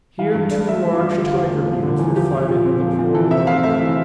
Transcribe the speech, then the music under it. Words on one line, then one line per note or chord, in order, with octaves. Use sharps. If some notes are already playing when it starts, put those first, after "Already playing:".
Here two large tiger-beetles were fighting with a poor water-bug.
E3 F5
G2
D4
A3 E5
E3
F4
G2
D3 G4
F4
E2 G4
A3
F3
D3
E2
F3 G4
A#2
A#2
C4
F3
A#2
E3 A4
C3 E5
C4 F5
A3 E5
E3